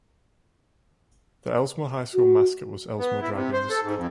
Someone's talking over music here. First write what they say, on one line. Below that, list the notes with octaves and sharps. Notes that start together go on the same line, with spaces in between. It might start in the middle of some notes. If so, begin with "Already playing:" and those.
The Elsmore High School mascot was Elsmore Dragons.
F#4
B3
E4
C3
C5
A4
G#2
F2